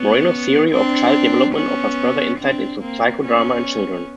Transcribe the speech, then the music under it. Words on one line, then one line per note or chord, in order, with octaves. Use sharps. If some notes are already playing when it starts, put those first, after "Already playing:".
Moreno's theory of child development offers further insight into psychodrama and children.
Already playing: B3 C#4
C4 D4
B3 C#4
C4 D4
A#3 C4
B3 C#4